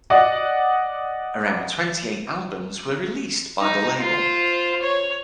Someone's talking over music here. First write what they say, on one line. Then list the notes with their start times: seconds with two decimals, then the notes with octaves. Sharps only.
Around twenty eight albums were released by the label.
0.10 D5 D#5 F#5
3.61 D#4
4.00 F4 C5
4.82 C#5